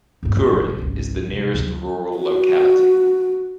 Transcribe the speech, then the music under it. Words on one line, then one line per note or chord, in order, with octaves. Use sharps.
Kurin is the nearest rural locality.
F#1 G2
A2
E1 A1
G#1 C#2
C3
D2 F#3
F#4